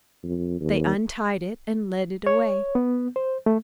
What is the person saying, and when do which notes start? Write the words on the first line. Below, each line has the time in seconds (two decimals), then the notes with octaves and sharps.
They untied it, and led it away.
0.23 F2
0.60 D#2
2.27 C#5
2.75 B3
3.16 C5
3.46 A3